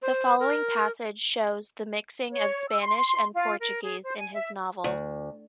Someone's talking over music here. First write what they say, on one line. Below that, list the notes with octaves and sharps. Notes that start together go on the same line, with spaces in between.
The following passage shows the mixing of Spanish and Portuguese in his novel.
C5
A#4
C#5
E6
C6
F4
A#4
G#4
C5
G#5
E5
D2